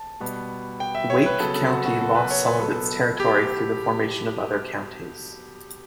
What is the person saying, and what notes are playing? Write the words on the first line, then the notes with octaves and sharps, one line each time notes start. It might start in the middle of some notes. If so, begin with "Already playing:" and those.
Wake County lost some of its territory through the formation of other counties.
Already playing: A5
B2 G3 B3
G5
E5
C#5
B4
C#3 F#3 B3 A4
A4
F#4
F#4
A4
B4
C#5
B4
B2 F#3 B3 A4
G4